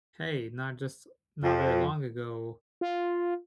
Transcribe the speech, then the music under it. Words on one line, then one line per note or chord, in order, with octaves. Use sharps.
"Hey, not just not very long ago
F2 F3
F4